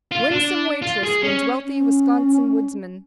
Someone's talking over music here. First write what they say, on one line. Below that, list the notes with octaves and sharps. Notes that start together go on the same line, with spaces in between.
"Winsome Waitress Wins Wealthy Wisconsin Woodsman."
F4
D4
F4
G#4
C#4
C#4